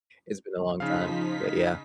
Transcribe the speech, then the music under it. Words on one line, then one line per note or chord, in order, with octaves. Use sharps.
it's been a long time, but yeah.
C#3 F3 D#4 F5 B6